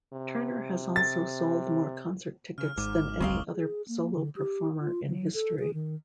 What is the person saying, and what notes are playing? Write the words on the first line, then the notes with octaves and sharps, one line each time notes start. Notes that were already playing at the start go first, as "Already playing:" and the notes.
Turner has also sold more concert tickets than any other solo performer in history.
C3
A6
C#3 F6
G#1 G#2 D6 F6 D#7
E1 C#2 G#2 C4 F5 C#6 D#6 G7
G#4
A#3
D3
G4
F4
F#3
A4
G#4
D#3